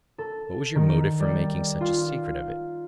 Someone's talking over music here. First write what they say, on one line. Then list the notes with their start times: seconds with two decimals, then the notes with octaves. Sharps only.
What was your motive for making such a secret of it?
0.18 A4
0.75 D#3
1.20 G3
1.81 F4